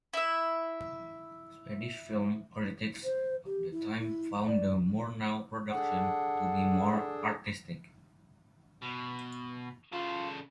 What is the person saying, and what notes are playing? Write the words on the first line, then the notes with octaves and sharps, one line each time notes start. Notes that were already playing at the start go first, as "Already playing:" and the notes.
Swedish film critics of the time found the Murnau production to be more 'artistic'.
E4 E5
C5
G4
E4
E4
D5
D4 G#4 A4 F#5
B2
C#3 F4 A4